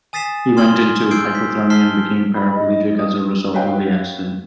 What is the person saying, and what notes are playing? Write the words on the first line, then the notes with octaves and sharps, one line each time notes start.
He went into hypothermia and became paraplegic as a result of the accident.
G#5 D#6 A6 B6 C7 E7
C6 D#6 F6 G#6 F#7 G7
E6 G6 G#6 C7 D7
B6
A5 F6 B6 C7 G7
B5
D#5
D#6
C#4 F#4 B4 D#5 F5 G5